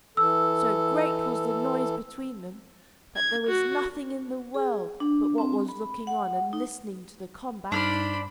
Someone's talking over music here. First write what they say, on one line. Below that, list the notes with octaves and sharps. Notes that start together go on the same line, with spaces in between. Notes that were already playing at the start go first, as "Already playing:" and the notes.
So great was the noise between them that there was nothing in the world but what was looking on and listening to the combat.
E3 A4 E6
G#6
F#4
G#4
D4
C4
B5
F#5
D#4
G2 D4 D#4 C5 B5 F6